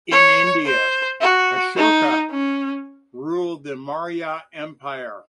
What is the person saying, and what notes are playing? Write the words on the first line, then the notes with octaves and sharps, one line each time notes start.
In India, Ashoka ruled the Maurya Empire.
C#5
C5
F#4
D#4
C#4